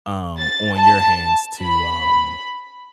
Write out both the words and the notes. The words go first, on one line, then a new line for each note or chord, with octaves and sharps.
um, on your hands to, um,
A6
A5
B5